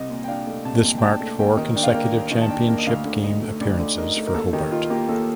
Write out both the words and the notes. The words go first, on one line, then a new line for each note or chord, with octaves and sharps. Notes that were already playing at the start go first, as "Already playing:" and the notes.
This marked four consecutive championship game appearances for Hobart.
Already playing: C2 D#5
A#2
G5
D4 F5
A3
C2 A5
A#2
G5
D4 A5
A3
D#2 G5
D#3
D4 G5
F5
G5
A#3
D#2
D#3
A5
D4 G5
A#3
D#5
D2 F5
D3
D#4 D#5
A3
D2 D5
D3
D#4 A#4
A3
A#4
D#2 A4
D#3 G4
D#4 F4
A#3 G4
D#2 A4